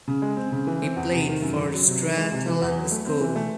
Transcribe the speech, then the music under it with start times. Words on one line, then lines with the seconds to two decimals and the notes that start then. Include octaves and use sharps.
He played for Strathallan School.
0.08 C#3
0.22 G#3
0.37 C4
0.52 C#3
0.67 E3
0.82 C4
0.96 E2
1.13 C3
1.28 D#3
1.42 F#2
1.57 C#3
1.72 F#3
1.87 C3
2.02 D#3
2.17 G#3
2.32 C3
2.47 E3
2.62 E2
2.77 F#3
2.91 A3
3.07 C4
3.21 E3
3.36 A3